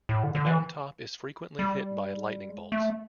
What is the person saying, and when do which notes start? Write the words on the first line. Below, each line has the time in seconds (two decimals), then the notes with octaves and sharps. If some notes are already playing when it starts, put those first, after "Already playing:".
The mountain top is frequently hit by lightning bolts.
0.09 A2
0.24 D3
0.35 D3
0.46 E3
1.59 G3
2.49 G#3
2.72 A3